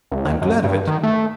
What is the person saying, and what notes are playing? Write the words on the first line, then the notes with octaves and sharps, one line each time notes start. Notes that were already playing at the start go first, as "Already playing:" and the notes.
I am glad of it.
C#2
D#2
F#2
G2
D#3
A3